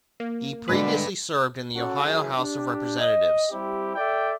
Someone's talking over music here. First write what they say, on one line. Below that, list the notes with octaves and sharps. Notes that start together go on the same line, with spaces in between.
He previously served in the Ohio House of Representatives.
A#3
B2 D3 G3 G#3 D4 B4
C#4 F#4 A4
F#2 E3 G#4
D4 G4
D#5
G3 C4 E4 G4
A4 D5 E5 G5